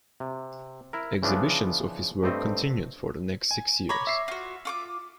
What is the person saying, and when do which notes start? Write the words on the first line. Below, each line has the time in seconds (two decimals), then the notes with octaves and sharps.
Exhibitions of his work continued for the next six years.
0.20 C3
0.93 E4 A#4
1.23 C#3 E3 F3 B3 D4
2.23 G2 A3 C4 D#5
3.51 G#5
3.89 C#5 A#5 B5 D6 A#6
4.07 E5 C7
4.28 F4 F#4
4.65 F4 C#6 D6